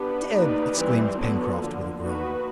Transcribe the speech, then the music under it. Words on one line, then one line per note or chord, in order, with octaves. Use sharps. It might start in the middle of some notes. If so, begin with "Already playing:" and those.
"Dead!" exclaimed Pencroft, with a groan.
Already playing: B3 D4 G4 B4
A#3 D#4 G4 B4 D5
E3 G3 C4
D3 F#3 B3
D3 F3 A#3
A#3 D#4 F#4 B4